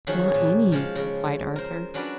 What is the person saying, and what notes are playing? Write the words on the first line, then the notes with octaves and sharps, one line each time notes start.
"Not any," replied Arthur.
D#3 F3 F#3 C#4 F#4 G#4
A#2
F3 G#3 C#5 F5
C#3 G#3
A#4 C5
F#3 C#4 D4 F#4 B4 D5